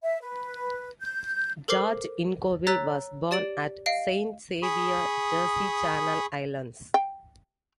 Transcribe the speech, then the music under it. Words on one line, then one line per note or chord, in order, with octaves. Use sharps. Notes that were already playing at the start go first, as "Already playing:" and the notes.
George Ingouville was born at Saint Saviour, Jersey Channel Islands.
E5
B4
G6
A4 A#4 C5 D6 C7 F#7
C#5 A#5 E6 F#6 A6 B6
G4 D5 A6 D7 F#7
D#5 F5 C7 D7
G#4 B5 C#6 D#6
G5